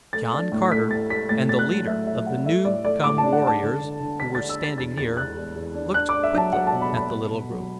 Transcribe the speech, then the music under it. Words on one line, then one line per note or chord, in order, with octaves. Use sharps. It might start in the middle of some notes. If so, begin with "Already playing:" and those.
John Carter and the leader of the new come warriors, who were standing near, looked quickly at the little group.
A3 A6
D4
A2
A3 B6
A2 A6
A3 B6
A2 A6
D4 A6
F#6
F#3
A2 E5
F#3 E5
A3 F#5
A3 E5
A2 D5
A3 D5
A2 D6
A5
D4
F#5
D4 A5
D3
D3
D3
D4 B6
D4 A6
E6
D4 A6
E2 A6
E2 A6
E2 F#6
E2
E2
D4
D4 F#6
D4 D6
E5
F#3 A5
F#3 F#5
A5
B2
B5
B2 B5
B3
B2
F#3